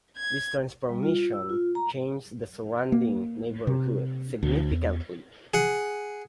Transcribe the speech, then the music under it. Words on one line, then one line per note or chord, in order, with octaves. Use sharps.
This transformation changed the surrounding neighborhood significantly.
G#6
G3
F4
E6
F4
A#5
A#3
C3
D2
E2
G#4 F#5